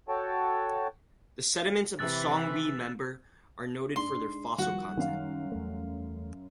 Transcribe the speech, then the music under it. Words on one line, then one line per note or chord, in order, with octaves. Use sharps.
The sediments of the Songwe Member are noted for their fossil content.
F#4 A4 C#5 G5 A5
C3 E3 B4 E6 F#6 A6
G#2 D4 C6
D#2 F3 G3 F#4 F#5
F#2 D#3 F5
E2 A3